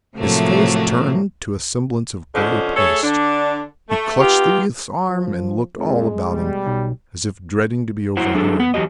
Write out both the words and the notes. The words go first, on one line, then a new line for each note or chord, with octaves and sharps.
His face turned to a semblance of gray paste. He clutched the youth's arm and looked all about him, as if dreading to be overheard.
A2 C3 F3 F#3 A3 A#3
F2 D3 C#4 C5 D#5
A3 G#4 A4 C#5
D3 D4
A3
B3 D#4 F4 G4
F3
F2 G#3
B2 G3
B1
F#3 E4 C5 F#5
F#3 D4 G#4 A4
B3 F#5
E2 F#3 G4 D#5